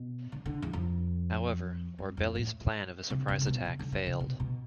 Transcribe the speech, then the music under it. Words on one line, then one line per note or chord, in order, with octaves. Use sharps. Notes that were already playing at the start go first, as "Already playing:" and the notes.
However, Orbeli's plan of a surprise attack failed.
Already playing: B2
D3
D3
E2
F2
G2
F2
A2
C3
C3
A2
B2
C3
D3
D3
C3
B2
B2